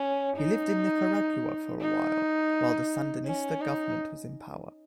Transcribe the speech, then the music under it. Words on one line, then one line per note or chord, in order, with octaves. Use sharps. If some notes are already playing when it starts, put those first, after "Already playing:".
He lived in Nicaragua for a while, while the Sandinista government was in power.
Already playing: C#4
D#4
D#4
C#4
D#4